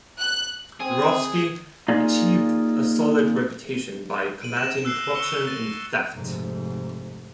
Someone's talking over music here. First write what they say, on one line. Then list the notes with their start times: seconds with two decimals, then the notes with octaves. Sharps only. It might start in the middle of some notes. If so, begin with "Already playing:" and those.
Yurovsky achieved a solid reputation by combating corruption and theft.
0.19 F#6
0.80 C4 G#4
1.88 A#3 D#4 F4 G#4 D5 D#5
4.42 D7 D#7 F#7
4.57 A#6 D7 E7
4.85 E6 F#6 C7 G7
5.14 C#6 E6 C#7 G7
5.47 A6 D#7
6.14 F1 G#2